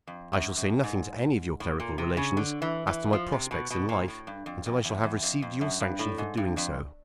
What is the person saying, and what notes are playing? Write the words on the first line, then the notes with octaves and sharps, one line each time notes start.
I shall say nothing to any of your clerical relations as to my prospects in life until I shall have received your sanction for doing so.
F2
F#2
F#2
G#2
A2
A#2
C3
C#3
D3
E3
E3
F3
C3
B2
B2
A#2
A2
G2
F2
F2
E2
E2
F2
F2
F#2
G2
A2
G#2
G2
F2